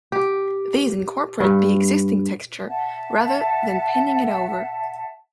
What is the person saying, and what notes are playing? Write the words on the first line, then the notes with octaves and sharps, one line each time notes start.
These incorporate the existing texture, rather than painting it over.
G4
G2
E5 F#5 A5